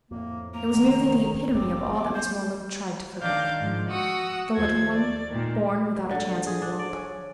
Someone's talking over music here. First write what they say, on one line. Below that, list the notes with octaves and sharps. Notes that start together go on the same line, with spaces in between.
It was merely the epitome of all that Miss Moreland tried to forget--the little one born without a chance in the world.
F2 A2 A#3
A#3 A#5
F1 D#3 B3
F#1 F#2 C4 D6
B3 D6
G6
D#3 D4 F5 D6 G6
G#2 F3
F#4 F#5 C#6 D#6 E6
D#2 F3 C5 G#6
D5
A#2 D#3
D3
G#4
D4
D5
C#4